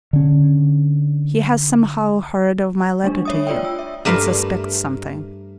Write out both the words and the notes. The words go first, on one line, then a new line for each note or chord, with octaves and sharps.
He has somehow heard of my letter to you and suspects something.
D3 C#4
G3 A3 D4
C#5 E5 D#6
F4 D5 G5
E6
E5
G2 A3 A#4 B4 F5